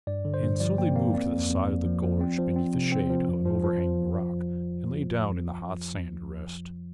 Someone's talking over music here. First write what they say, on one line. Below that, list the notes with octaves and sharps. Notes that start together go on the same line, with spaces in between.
And so they moved to the side of the gorge beneath the shade of an overhanging rock and lay down in the hot sand to rest.
G2 D5
D3
C5
G2
F3 D5
A#3 G5
A#3 F5
C4 D5
F2
F2
F2
F3
F3
C4
F3
C4
C3
C4
F3
F2
F3
F3